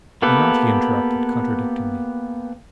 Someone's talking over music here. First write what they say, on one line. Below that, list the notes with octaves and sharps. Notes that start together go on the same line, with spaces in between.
"Why not!" he interrupted, contradicting me.
A#3 B3 G4 A4 B4